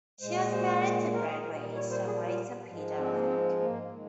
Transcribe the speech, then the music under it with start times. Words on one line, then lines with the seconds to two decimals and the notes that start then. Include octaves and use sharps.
She was married to Broadway songwriter Peter Link.
0.21 A#2 G#3 C5
0.36 C#5
0.51 C5
1.13 A#4
1.26 G#4
1.39 A#4
1.44 A#2 G3
1.75 C#5
1.91 C5
2.06 G#4
2.27 F4
2.68 G#2 F3 G#3
2.99 C4
3.11 A#3
3.24 C4
3.60 A#3
3.91 D#3 G#3